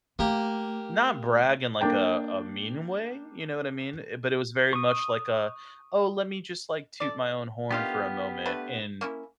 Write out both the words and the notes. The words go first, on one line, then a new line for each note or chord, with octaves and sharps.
not brag in, like, a a mean way, you know what I mean? Uh, but it was very much, like, a, "Oh, let me just, like, toot my own horn for a moment." and
A3 A#3 G4
A#3 D4 G5
C#6 D#6
A4 D5
D3 D#3 B3 F4 G4 F5
D3 A3 B4
A#3 C#4 E4